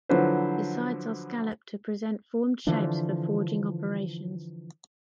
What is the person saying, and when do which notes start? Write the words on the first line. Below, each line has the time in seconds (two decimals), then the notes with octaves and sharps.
The sides are scalloped to present formed shapes for forging operations.
0.09 D3 F3 F#3 E4 B4 C5
2.67 D3 E3 F3 D4